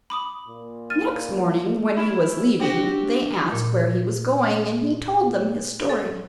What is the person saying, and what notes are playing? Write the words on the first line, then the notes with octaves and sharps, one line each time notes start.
Next morning when he was leaving they asked where he was going and he told them his story.
B5 D6 D#6
A#2
F6 A6 D#7
C#4 E4
C4 D4 F#4 G4
A#2
A4